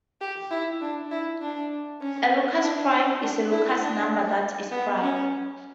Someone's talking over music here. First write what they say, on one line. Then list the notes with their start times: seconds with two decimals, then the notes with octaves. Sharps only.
A Lucas prime is a Lucas number that is prime.
0.21 G4
0.51 E4
0.82 D4
1.11 E4
1.41 D4
2.01 C#4
2.61 D4
3.21 D4
3.51 E4
3.82 D4
4.72 B3
5.02 C#4